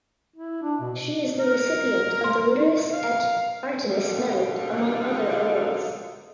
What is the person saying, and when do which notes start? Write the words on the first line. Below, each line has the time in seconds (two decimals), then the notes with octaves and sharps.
She is the recipient of the Litteris et Artibus medal among other awards.
0.36 E4
0.63 D4
0.81 B2
1.40 A#4
2.24 C6
2.59 D#4
2.93 F5
3.89 D#2 D3 G3 D#4 F4 A4